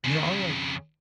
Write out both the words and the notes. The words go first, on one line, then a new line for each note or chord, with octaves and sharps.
and there are, like
F2 C#3